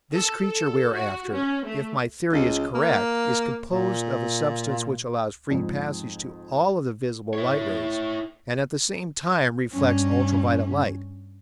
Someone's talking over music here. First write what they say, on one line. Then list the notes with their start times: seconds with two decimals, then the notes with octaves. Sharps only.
This creature we are after, if my theory is correct, is composed of a substance which allows free passage to all of the visible light rays and at the same time reflects ultra-violet light.
0.14 A4
0.45 A4
0.95 F#4
1.33 C#4
1.66 A3
2.33 C#2
2.75 A#3
3.71 A#2
5.50 F2 G#2
7.33 E4 C#5
9.73 G2 C#4